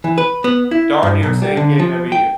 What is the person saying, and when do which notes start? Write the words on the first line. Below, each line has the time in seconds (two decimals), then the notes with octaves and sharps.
darn near the same game every year.
0.04 E3
0.18 B4
0.44 B3
0.71 E4
1.03 G2
1.23 B1
1.42 G3
1.57 D3
1.79 F3
2.12 G5